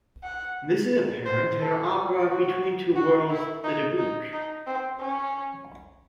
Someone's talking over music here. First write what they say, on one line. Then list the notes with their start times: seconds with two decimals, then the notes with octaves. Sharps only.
This is apparent in her opera Between Two Worlds-The Dybbuk.
0.24 F#5
1.26 C5
1.60 A4
2.28 F#4
2.96 F#4
3.30 E4
3.64 D#4
3.98 D#4
4.33 D#4
4.67 C4
5.00 C#4